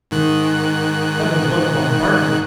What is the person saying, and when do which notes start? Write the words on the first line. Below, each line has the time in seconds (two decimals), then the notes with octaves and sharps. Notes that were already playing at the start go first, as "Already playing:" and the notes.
Heavens, what a bombardment!
0.11 G#2 D#3 F#6